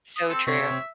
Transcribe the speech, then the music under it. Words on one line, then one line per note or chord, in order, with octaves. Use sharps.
So true.
D#6
C4 A4
C3 C4 C#5 E5